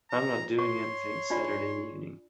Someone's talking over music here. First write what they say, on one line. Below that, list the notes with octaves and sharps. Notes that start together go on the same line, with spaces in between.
I'm not doing anything Saturday evening.
A#5
C#5 C6 C#6
D4 F4 D5